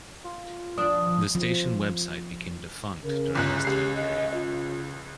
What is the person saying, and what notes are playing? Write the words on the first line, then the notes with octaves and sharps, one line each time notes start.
The station website became defunct during this time period.
F4
F3 D4 D#6
F3
C#3 A#4
G1 C#2 F4 F#6
C#2 G4 C7
D#5
F4